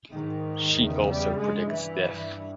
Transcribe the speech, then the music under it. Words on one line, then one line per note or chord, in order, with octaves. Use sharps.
She also predicts death.
G#2 D#3
E2 C#3
G3
G2 G#3
E3
G2